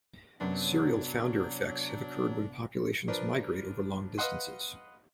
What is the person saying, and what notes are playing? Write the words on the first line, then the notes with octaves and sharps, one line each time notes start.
Serial founder effects have occurred when populations migrate over long distances.
F#2 C3 F#3 B3 D4
F3 D4 A#4 B4
B4 D#5 F5 F#5 C6